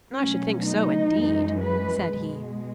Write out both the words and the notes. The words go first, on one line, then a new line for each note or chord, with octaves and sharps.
"I should think so, indeed," said he.
B2 F#3 A3 C#4
D#4
F#2 E3 G#3
B4
B2 G#3